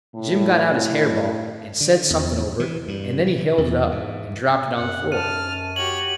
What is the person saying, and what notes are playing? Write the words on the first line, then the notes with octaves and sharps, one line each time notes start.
Jim got out his hair-ball and said something over it, and then he held it up and dropped it on the floor.
A2
D3
E2
E3
G2
E3
E2
G#2
F#2 F#5
A5 F6 D#7
F#4 G4 C#5 F#7